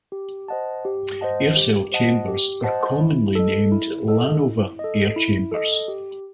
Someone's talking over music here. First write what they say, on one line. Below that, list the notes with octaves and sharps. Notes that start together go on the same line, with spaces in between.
Air cell chambers are commonly named Lanova air chambers.
G4
C5 D#5 F#5 A5
G4
C5 D#5 F#5 A5
G4
C5 D#5 F#5 A5
G4
C5 D#5 F#5 A5
E4
A4 D#5
E4
A4 D#5
E4
A4 D#5
E4
A4 D#5
G4